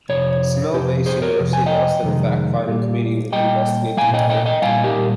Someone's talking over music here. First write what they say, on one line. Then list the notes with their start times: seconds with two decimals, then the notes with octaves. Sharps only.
Semmelweis University announced that a fact-finding committee would investigate the matter.
0.09 F2 C3 C#5
0.73 F2 C3 G4
1.06 G#4 C5
1.22 A#4 C#5
1.39 F2 C3
1.53 G#5
1.66 D#5 G5
2.03 F2 C3 D#3 G#3
2.68 A#2 G3
3.32 A#2 G3 D#5 G5
3.97 A#2 G3 F5 G#5
4.14 D#5 G5
4.30 D#5 G5
4.46 D#5 G5
4.62 A#2 G3 F5 G#5
4.84 G4 A#4